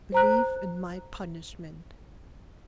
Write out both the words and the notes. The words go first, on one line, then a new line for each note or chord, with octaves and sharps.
"Believe in my punishment!"
C5 A#5 F#6